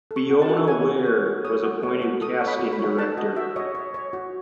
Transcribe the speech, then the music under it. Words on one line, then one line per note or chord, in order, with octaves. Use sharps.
Fiona Weir was appointed casting director.
A4
C#6
F#4
A5
F#4
C#5 G#5
F#4
C#5
F#4
C#5 D#6
F#4
C#5
F#4
A4 D#6
C#5
B5
F#4
B5
C#5
A4 A5
F#4 D#5
F#4 E5
C#5 D#5
C#5
C#5
F#4